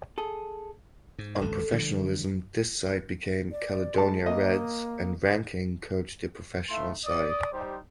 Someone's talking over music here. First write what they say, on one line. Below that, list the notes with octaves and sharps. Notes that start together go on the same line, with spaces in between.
On professionalism this side became Caledonia Reds and Rankin coached the professional side.
G#4 A4
G#2
G#1 C#2 A4
D3 F3 G3
D5
G#3 A5
A#3 D#5
A3 D#4 E4 E5 F5 C6
D5 D#6
G3 D#4 G4 C5